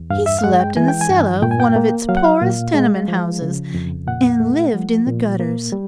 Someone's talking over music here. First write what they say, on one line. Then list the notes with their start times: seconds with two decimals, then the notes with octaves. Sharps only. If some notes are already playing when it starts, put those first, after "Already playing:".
He slept in the cellar of one of its poorest tenement houses, and lived in the gutters.
Already playing: E2
0.10 G2 F5
0.26 E5
0.39 F5
0.44 G#3 F#5
0.60 G5
0.77 E3 G#5
0.88 G5
1.01 G#5
1.10 G2
1.42 A#2 G5
1.51 G#5
1.60 G5
1.76 A#3
2.09 F#3 F5
2.17 F#5
2.24 F5
2.42 A#2
2.74 G#3
3.08 F3
3.42 C#3
3.74 F2
4.07 A#2 F#5
4.40 A3
4.73 F3
5.07 A#2
5.40 A#3
5.72 G3